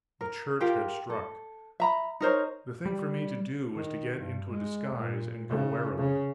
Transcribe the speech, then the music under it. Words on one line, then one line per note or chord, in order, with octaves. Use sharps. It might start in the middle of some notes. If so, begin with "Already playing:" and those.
The Church had struck; the thing for me to do was to get into a disguise, and go warily.
A#4
F4 G4 A#4 G5
A4
E5 A#5 B5
D#4 A#4 C5 C#5
G3
D#3
G2
G#3
A#2
C#3
C#3